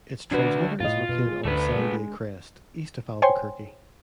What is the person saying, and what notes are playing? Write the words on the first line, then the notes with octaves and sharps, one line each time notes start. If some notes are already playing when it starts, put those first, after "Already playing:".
Its transmitter is located on Sandia Crest, east of Albuquerque.
D2 D4 F#4 B4
A2 F4 D#5
B2
G#3
D2 A3 B4
G#3
C5 C#5 G5 G#5 C6